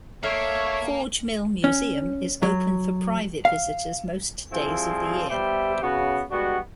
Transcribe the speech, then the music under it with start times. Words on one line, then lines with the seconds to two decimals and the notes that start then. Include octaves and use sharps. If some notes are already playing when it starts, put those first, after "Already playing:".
Forge Mill Museum is open for private visitors most days of the year.
0.23 A#3 D#4 A4 C#5 E5 F5
1.64 C#4
2.43 F#3
3.45 F5
4.52 F3 G3 C4 E4 F4 G#4
5.30 G3 B3 G4 C5 E5
5.82 C#3 B3 F#4
6.31 G3 G#3 B3 D4 F#4